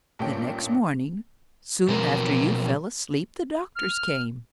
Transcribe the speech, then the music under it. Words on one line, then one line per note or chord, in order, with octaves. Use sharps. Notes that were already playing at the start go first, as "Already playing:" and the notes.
The next morning, soon after you fell asleep, the doctors came.
A1 G2 A#2 C#4 G5
B2 F3 F#3 C4 A#4
F6